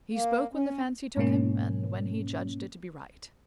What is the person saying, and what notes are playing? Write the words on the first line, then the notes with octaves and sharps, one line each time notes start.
He spoke when the fancy took him and when he judged it to be right.
A#3
C#4
G#2 B2 A#3 C#4